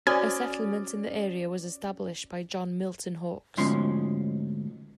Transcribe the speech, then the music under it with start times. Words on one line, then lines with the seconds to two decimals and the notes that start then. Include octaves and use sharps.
A settlement in the area was established by John Milton Hawks.
0.07 C#4 F#4 C5 D5 G#5 D#6 F6
3.57 D2 G#2 B2 F3 C#4 C6